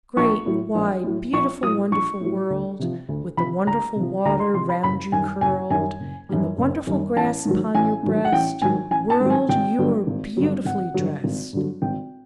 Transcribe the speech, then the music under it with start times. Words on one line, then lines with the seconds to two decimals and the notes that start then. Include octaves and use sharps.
"Great, wide, beautiful, wonderful World, With the wonderful water round you curled, And the wonderful grass upon your breast, World, you are beautifully drest!"
0.17 A#1 C#6
0.46 A2 F#3
0.75 A#1
1.04 A2 F#3
1.33 A#1 C#6
1.62 A2 F#3 D#6
1.91 A#1 C#6
2.21 A2 F#3
2.50 D2
2.79 C3 F3
3.09 D2
3.37 C3 F3 B5
3.67 D2 A#5
3.96 C3 F3
4.25 D2 A#5
4.40 C6
4.54 C3 F3 C6
4.69 B5
4.83 F#1 B5
5.12 F#2 D#3 G3 G#5
5.41 F#1 G#5
5.70 F#2 D#3 G3 G#5
6.00 F#1
6.29 F#2 D#3 G3
6.58 F#1
6.87 F#2 D#3 G3
7.16 A1 A5
7.45 G#2 D#3 F#3
7.75 A1 G#5
8.03 G#2 D#3 F#3
8.25 F#5
8.32 A1 G5
8.62 G#2 D#3 F#3 G#5
8.91 A1 G#5
9.10 A5
9.20 G#2 D#3 F#3
9.30 G#5
9.49 G#1 G5
9.79 G2 D3 F#3
10.07 G#1
10.37 G2 D3 F#3
10.65 G#1 F#5
10.94 G2 D3 F#3
11.24 G#1
11.53 G2 D3 F#3
11.82 G#1 G5